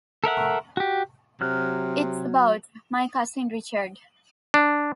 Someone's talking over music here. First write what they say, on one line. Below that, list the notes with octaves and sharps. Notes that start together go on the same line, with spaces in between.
It's about — my cousin Richard!
A4 A#4 E5 F#5
F#4 G4
C3 F#3 F6 F#6
D4